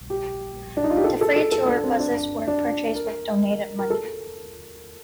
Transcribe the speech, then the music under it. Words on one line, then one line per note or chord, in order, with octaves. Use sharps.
The three tour buses were purchased with donated money.
G4
D4
D#4
F4
G4
A4
A4
A4
A4
D4
C4
D4
D4
A#4
A#4
A4